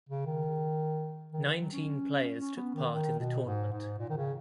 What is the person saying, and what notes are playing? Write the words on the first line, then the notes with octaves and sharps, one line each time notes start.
Nineteen players took part in the tournament.
C#3
D#3
D#3
E3
F#3
C#4
C#4
B3
D#3
D#3
B2
G#2
G#2
A#2
D#3
C#3